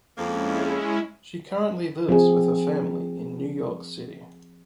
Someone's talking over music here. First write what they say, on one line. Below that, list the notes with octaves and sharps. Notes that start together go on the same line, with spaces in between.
She currently lives with her family in New York City.
F2 G#3 A#3 C#4 E4
F3 C4 G#4